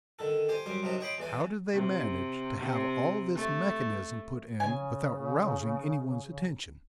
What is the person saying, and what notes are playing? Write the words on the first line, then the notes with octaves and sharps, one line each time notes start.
How did they manage to have all this mechanism put in without rousing any one's attention?
D3 D#3 A4
G4 C5 G#5
F#2 G3 C5 D6
F#2 C3 C4 D4 D#4
C#5 D#5 G5 B5 C6 D6
E2 E3 D5 G#5
C3
C3
A3
C#3 G#5